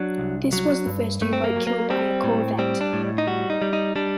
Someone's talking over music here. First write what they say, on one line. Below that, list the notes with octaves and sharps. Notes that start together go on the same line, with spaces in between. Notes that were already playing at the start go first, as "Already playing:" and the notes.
This was the first U-boat kill by a corvette.
Already playing: F#3 D4
C2
F#3
G2
G2 A3
C4
A#3
F#3
A#3
G3 C4
A2
G3 C4
D4
A2
D#4
G3 F#4
D#4
G3
D#4
G3 D4